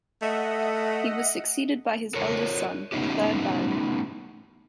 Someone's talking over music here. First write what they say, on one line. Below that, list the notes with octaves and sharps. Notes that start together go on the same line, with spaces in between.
He was succeeded by his eldest son, the third Baron.
A3 D#5 E5 F#5
A4 A#4 C#5
A3 B3 C#4 D#4 E4 G4